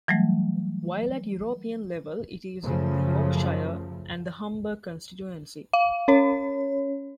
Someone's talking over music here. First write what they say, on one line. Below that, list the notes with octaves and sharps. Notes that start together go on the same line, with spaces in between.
While at European level it is in the Yorkshire and the Humber constituency.
E3 F#3 G3 A3
F#2 C#3 F3 A3
F5
C#4 C#5